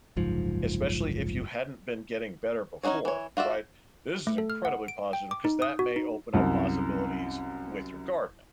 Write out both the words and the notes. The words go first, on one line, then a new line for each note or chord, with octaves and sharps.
Especially if you hadn't been getting better before, right? This is incredibly positive 'cause that may open up possibilities with your gardening,
F#1 C2 G#2 F3
C#4 D#4 F#4 G#4 C#5
E3 C#5
F4 F#4 D5 E5
A3
A4
F6
F#5
D7
G5
D6
D#4
D#6
F#4
D#4
C2 F#2